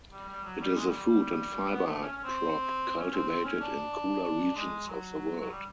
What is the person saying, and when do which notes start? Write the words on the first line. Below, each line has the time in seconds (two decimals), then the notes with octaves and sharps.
It is a food and fiber crop cultivated in cooler regions of the world.
0.12 G3
0.28 G3
0.44 F#3
0.60 G3
0.75 G#3
0.87 G3
0.97 G3
1.71 B3
1.86 A3
2.02 C#4
2.13 C#4
2.24 C4
2.97 C#4
3.13 C4
3.29 C4
3.45 C#4
3.61 D4
4.55 G#3
4.87 F#3
5.41 F#3
5.51 G3